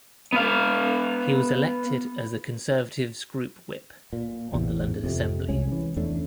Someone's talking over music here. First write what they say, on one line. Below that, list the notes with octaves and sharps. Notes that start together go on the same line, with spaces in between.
He was elected as the Conservative's Group Whip on the London Assembly.
B3 F5
A#2
A1 E2 C3
F2 C3
C2 G#3 C#4
E3
E2 A3 C#4 D4